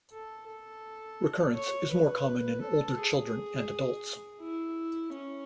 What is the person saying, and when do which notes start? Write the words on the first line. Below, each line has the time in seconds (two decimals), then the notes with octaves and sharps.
Recurrence is more common in older children and adults.
0.11 A4
0.47 A4
1.55 C#5
1.90 B4
2.61 A4
2.98 G#4
4.41 E4
5.12 C#4